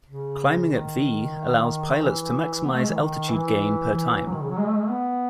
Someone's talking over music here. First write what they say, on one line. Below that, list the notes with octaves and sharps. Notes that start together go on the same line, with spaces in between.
Climbing at V allows pilots to maximize altitude gain per time.
C#3
D#3
E3
B3
A3
G#3
E3
D#3
E3
E3
F#3
D#3
C#3
F#3
G#3
A3
G#3
A3
B3